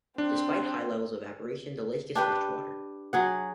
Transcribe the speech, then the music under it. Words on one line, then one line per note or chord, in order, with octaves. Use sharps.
Despite high levels of evaporation, the lake is fresh water.
C4 D4
D4 G4 B4
F#3 G#4 F#5